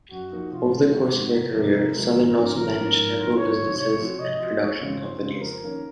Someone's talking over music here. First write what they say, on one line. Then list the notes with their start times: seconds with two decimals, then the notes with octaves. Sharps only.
Over the course of her career, Sothern also managed several businesses and production companies.
0.12 F#2 F#4
0.32 F3 A#3 D#4
0.52 C3 F4
0.72 D#3 G#3
0.93 C3 F#4
1.13 D#3 G#3
1.34 F1 A#4
1.54 F2 C3 F3 G#3
1.75 F1
1.95 F2 C3 F3 G#3
2.15 G#1
2.36 G#2 F3 A#3 C#4
2.56 G#1 A#4
2.77 G#2 F3 A#3 C#4
2.96 G#2
3.17 D#3 F#3 C4 F#4
3.38 G#2 C#5
3.59 D#3 F#3 C4 F#4
3.79 C3 C#5
3.99 F3 C4 F#4
4.19 C3 D#5
4.39 F3 C4 F#4
4.60 F2 C#5
4.81 C#3 G#3 C4
5.01 F2 C5
5.22 C#3 G#3 C4
5.42 F2 A#4
5.63 D#3 A#3 C#4